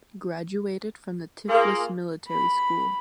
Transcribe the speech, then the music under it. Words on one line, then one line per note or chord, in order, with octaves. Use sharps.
Graduated from the Tiflis Military School.
A#3 F4 G#4
B5